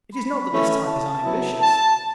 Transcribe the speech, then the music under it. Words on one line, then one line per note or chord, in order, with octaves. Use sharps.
It is not that this type is unambitious.
B5
E3 A3 C#4 E4
A5
F#3 B3 E4
A5